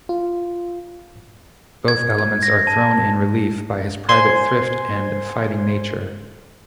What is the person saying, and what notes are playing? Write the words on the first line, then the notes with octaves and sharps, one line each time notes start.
Both elements are thrown in relief by his private thrift and fighting nature.
F4
G#6
G#6
A#6
A5
C5 G#5 C6 G#6